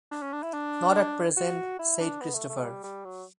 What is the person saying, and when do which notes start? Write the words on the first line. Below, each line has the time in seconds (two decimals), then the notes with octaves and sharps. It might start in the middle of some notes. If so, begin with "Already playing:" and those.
"Not at present," said Christopher.
0.11 D4
0.22 C#4
0.33 D4
0.43 E4
0.53 D4
1.37 F#4
1.79 E4
2.00 D4
2.21 B3
2.35 A3
2.49 A3
2.63 G3
2.84 G3
3.05 F#3